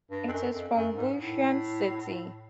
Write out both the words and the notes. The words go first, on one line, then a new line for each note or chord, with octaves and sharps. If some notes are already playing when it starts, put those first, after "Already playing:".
It is from Butuan City.
G2
F2
F#2
F2
F#2
G#2
A2